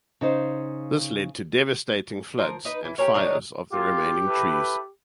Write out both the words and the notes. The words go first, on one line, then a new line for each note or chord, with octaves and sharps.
This led to devastating floods and fires of the remaining trees.
C#3 D#4 C5
F3 A#4
D#4 B4
E3
G4 A4 A#4 C#5
D#3 D4 D#4 C#5
G#3 A#3 F4 G4
E4 A4 B4